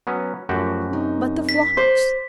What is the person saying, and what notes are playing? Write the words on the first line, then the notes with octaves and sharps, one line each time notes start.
"But the flocks!"
F#3 B3 C#4
F#2 F3 A3 F#4 G4
C3 D#4
B6
C5 D6